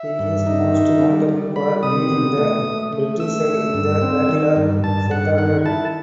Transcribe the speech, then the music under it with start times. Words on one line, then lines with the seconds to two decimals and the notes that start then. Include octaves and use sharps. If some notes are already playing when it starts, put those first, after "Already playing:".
He is most notable for leading the British side in the Battle of Setauket.
Already playing: E5
0.19 G2
0.46 D#4
0.74 D#3
1.01 G3
1.29 G3
1.56 G3 B5
1.83 C3 D#6
2.10 B2
2.38 A3
2.65 A3
2.93 A3
3.19 A3 E6
3.47 A3
3.74 G2
4.02 C4
4.29 D#3
4.56 G2
4.84 G2 A5
5.11 G2 F#5
5.38 D#3 F#5
5.65 E4 A5